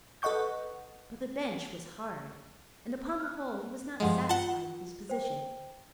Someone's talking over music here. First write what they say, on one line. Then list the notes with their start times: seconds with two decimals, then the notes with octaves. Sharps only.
But the bench was hard and, upon the whole, he was not satisfied with his position.
0.22 A4 B4 D#5 F#5 C#6 G6
3.20 F6 F#6
4.00 G2 F3 G#3 D#5 F#5 C6
4.29 F4 F#5 A5 G7
5.09 C5 G5